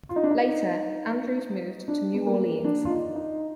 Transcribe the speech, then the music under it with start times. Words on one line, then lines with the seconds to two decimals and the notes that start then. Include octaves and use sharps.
Later Andrews moved to New Orleans.
0.09 F4
0.16 D#4
0.23 D4
0.31 D#4
1.88 D4
2.14 B3
2.27 A#3
2.64 D4
2.85 F4
2.90 D#4
3.15 D#4